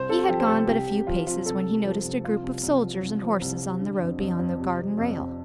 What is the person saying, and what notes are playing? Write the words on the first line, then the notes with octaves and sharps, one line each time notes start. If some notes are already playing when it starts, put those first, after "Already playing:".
He had gone but a few paces when he noticed a group of soldiers and horses on the road beyond the garden rail.
Already playing: C2 C5
C3 A4
F3 G4
C5
C2 A4
C2 G4
C3
F3 F4
C3 F4
C2 A4
C2
F3
C2
C2 F4
C2
C2
F3
C2
F3
C2
C3
D3
F2
F2
F2
C3
F2
F2
F2